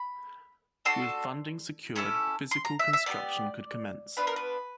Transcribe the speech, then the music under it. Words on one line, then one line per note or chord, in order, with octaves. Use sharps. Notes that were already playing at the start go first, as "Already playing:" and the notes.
With funding secured, physical construction could commence.
Already playing: B5
D4 F#4 A4 C6
C#4 E4 A4 C#6
C6
A#5
E5
E5
B3 D#4 G4 D5
B3 D4 F4 B4
A#4
B4